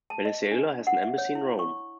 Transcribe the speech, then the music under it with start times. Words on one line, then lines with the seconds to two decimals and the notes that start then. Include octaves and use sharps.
Venezuela has an embassy in Rome.
0.10 A5
0.25 D#5
0.51 D4
0.87 F#5
1.03 E5
1.18 C#5
1.35 E4
1.59 C#6